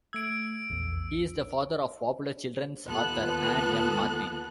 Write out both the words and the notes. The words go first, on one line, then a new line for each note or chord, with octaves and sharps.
He is the father of popular children's author Ann M. Martin.
A3 E6 G#6 D7
A#1 E2
D#2 B3 F4 A4 F#6